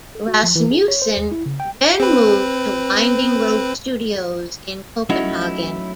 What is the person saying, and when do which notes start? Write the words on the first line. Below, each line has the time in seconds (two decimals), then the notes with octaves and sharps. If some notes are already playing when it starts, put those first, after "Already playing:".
Rasmussen then moved to Winding Road Studios in Copenhagen.
0.15 A4
0.28 F#4
0.43 F3
0.55 E3
0.71 G#4
0.88 C#5
1.02 C5
1.17 D#2
1.31 E4
1.46 C#3
1.60 G5
2.00 C4 B4
5.10 F#3 A3 C#4 D#4 E4